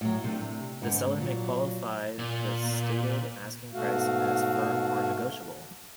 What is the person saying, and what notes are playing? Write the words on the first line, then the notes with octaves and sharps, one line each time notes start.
The seller may qualify the stated asking price as firm or negotiable.
A2 F#3
C3 A3 D4
G#2 D3 B3 C4
A#2 F#3
A#2
G#2 B2 A3 F#4 F5